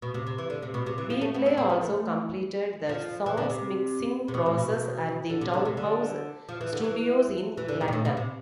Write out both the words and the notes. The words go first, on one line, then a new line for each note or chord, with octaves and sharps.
Wheatley also completed the song's mixing process at the Townhouse Studios in London.
B2
C3
C3
E3
D3
C3
B2
C3
E3
F3
A3
B3
C4
C4
B3
A3
F3
E3
D3
C3
C3
B2
A2
B2
D3
C3
D3
C3
D3
F3
E3
D3
E3
E3
D3
C3
B2
A2
B2
C3